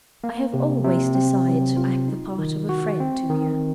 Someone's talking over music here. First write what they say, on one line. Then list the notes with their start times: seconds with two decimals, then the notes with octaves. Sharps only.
I have always desired to act the part of a friend to you.
0.24 A#3
0.54 C3
0.84 C3
1.15 C4
1.47 F#3
1.77 F4
2.08 D#4
2.39 D#3
2.69 F#4
3.00 C4
3.30 D#3